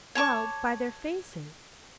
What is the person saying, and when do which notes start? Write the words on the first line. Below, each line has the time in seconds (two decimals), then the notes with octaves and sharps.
'Well, by their faces....'
0.15 C#5 A5 C#6 D6